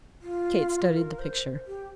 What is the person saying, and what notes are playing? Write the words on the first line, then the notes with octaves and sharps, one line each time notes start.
Kate studied the picture.
F4
A#4
C5
G4